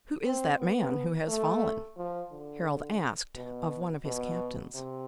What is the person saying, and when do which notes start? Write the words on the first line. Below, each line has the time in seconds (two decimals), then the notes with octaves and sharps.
'Who is that man who has fallen?' Harold asked of one of his captains.
0.25 C4
0.59 B3
1.28 A3
1.97 F3
2.32 D3
3.35 B2
4.05 B2
4.75 C3